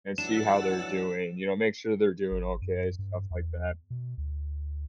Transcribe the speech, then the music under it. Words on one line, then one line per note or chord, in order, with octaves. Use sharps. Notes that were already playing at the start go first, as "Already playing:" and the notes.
and see how they're doing, you know, make sure they're doing okay, stuff like that.
C#2 E3 F#3 D4 F#5 E6 A6 E7
G#1
F#2
G2
E2
B2
D2